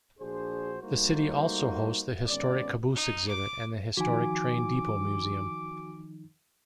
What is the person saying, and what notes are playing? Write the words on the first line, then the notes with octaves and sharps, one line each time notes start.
The city also hosts the Historic Caboose exhibit and the Historic Train Depot museum.
A#1 D4 F#4 G#4 C5
G3 A3 A#3 D#4 F#4 C5
G#1 G#3 B3 C#4 D5
D#4
D6
D#3 F3 D#4 F#4 G#5 D6